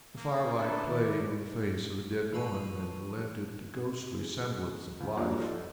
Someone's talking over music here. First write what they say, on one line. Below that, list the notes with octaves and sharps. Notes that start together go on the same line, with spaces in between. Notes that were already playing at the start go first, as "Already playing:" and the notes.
The fire-light played on the face of the dead woman and lent it a ghostly semblance of life.
A#3
D4 A4 B4 E5 A#5 D6
D#3 E4 C#5 D5
E3 F4 B4 A5 C#6 D#7
G#4
C#2 F3
F3 G3 A#3 D4 F#4 C#5
D#4 F4 A4